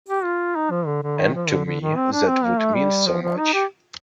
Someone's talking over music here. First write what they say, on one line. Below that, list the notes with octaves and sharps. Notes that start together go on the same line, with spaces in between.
And to me that would mean so much.
G4
F4
D#4
F3
D3
D3
D#3
F3
D3
D3
D#3
C4
D4
C4
A#3
A3
G3
F3
F3
D#4
G4